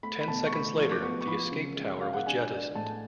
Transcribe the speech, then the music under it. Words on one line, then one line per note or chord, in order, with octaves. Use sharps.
Ten seconds later, the escape tower was jettisoned.
A3 B5
B5
B2 A5
C#6
A3 B5
F3 C#6
D6
B3 C#6
C#6
F3 B5
C#3
G#3
G#3 F5
F#5
D4 G#5
D4 D5
A2 A5